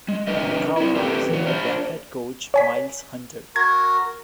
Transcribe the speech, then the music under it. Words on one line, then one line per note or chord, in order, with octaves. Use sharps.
The Cowboys are led by head coach Miles Hunter.
G#3
D4 A#4 B4 D#5
C4 E4
C4 G4 A4 B4 F#5 G5
E3 F#4
D4 A#4 C5
C#5 G#5 B6
F#4 A#4 A#5 G#6